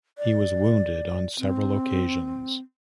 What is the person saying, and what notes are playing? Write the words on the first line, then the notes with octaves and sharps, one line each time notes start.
He was wounded on several occasions.
D5
C4